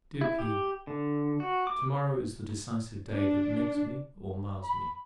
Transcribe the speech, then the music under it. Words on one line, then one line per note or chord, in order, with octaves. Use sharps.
Dear P----, To-morrow is the decisive day that makes me or mars me.
E4
G4
D3
F#4
D6
D4
B5